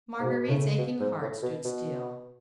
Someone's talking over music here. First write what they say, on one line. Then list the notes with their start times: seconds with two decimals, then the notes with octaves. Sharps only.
Marguerite's aching heart stood still.
0.20 G#2 B2
0.48 A2 C#3
0.78 B2
1.00 G#2
1.21 A2
1.42 B2
1.64 B2